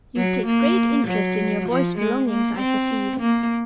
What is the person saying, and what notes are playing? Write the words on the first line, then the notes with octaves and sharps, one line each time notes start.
You take great interest in your Boyce belongings, I perceive.
F#3
A#3
F#3
F3
G#3
A#3
C4
A#3